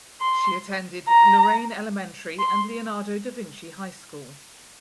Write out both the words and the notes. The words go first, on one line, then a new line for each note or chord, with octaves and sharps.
She attended Lorraine Elementary and Leonardo da Vinci High School.
C6
A#5
C6